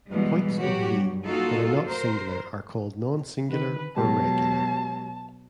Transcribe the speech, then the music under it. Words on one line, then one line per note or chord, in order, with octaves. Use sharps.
Points of "V" that are not singular are called non-singular or regular.
B2 E3 G3 G#3 B3
F#3 F#4 G4 C#5
G2
A#3 D#4 F4 F#4 A4
A#4 C5
D3 D#3 B4
B2 F#3 G#3 G4 A5